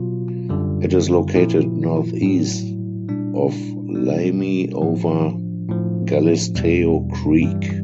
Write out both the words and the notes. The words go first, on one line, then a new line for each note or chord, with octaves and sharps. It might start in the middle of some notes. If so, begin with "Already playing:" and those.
It is located northeast of Lamy over Galisteo Creek.
Already playing: B2 F#3 F4
F#2 D3 G3
A#2 F3 E4
A2 F#3
A#2 G3 D4
B2 G3
A2 F3
A2 F3
E2 B2 G3
G2 E3 G3